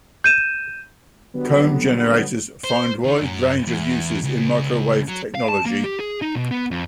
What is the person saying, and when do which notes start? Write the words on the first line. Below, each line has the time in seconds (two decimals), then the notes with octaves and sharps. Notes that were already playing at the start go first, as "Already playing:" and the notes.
Comb generators find wide range of uses in microwave technology.
0.24 G6 D#7 E7
1.34 D3 F#3 G3 B3
2.64 C5
3.04 D#3
3.21 F#2
3.67 E2
4.24 C#2
5.09 F#3
5.35 F5
5.49 A5
5.66 A#3
5.84 G4
6.00 G#4
6.22 D#4
6.35 B2
6.51 B3
6.71 F2